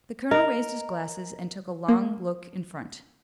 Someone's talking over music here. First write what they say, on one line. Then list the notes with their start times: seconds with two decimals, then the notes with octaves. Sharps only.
The colonel raised his glasses and took a long look in front.
0.31 A#4 D#5
1.88 A#3